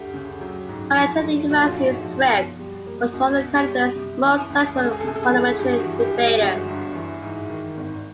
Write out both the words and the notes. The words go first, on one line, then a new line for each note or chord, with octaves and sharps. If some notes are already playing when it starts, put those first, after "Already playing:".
While attending university, Swift was one of Canada's most successful parliamentary debaters.
Already playing: D2 A3 G4
C#3
F#3
G#2
F3
A3
A#1 F#4
F4
G#2 F#4
F3
B2
G3
A#3
C#2 F#4
B2
G4
G3
C3
E3
C#2
C#2 G#4
A4
G#4
A4
C3 G#4
A4
G#4
E3
G2 G4
F#4
E3
G4
G#3
G4
G1 F#4
G2
E3
G#2
D#3
G#1